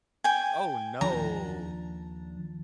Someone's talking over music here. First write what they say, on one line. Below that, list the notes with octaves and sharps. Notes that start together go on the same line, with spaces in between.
Oh, no.
G5 G#5
D#2 F3 D4 A#5